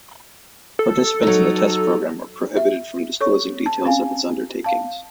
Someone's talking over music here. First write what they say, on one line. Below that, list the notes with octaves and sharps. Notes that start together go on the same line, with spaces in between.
Participants in the test program were prohibited from disclosing details of its undertakings.
A4
F#3 D#4
E5
A4 C#5 C#6
A5
C4 C#4 F5 G#5
F5 A5